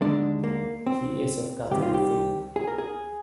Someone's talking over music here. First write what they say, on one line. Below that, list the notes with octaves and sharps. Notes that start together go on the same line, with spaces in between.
He is of Catholic faith.
D#2 D3 G#3 D4
A#3
C4
C2 C3 D#3 G3 G4
F4
G4
G#4
A#4
G#4